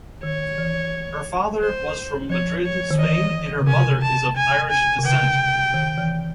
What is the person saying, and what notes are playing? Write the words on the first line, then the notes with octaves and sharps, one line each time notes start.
Her father was from Madrid, Spain and her mother is of Irish descent.
D#3 C#5
E3
C5
F3 C#5
C#5
D#3
E3 D#5
C#3
C3 G#5
A5
G#5
G#5
C3
C#3 G5
D#3
E3